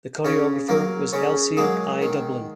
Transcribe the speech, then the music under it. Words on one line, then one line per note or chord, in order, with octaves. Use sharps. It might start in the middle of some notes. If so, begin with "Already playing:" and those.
The choreographer was Else I. Dublin.
C#3 C#4 C#5
F#3 A#3 A#4
C#3 C#4 C#5
F#3 G#3 A#3 G#4
D#3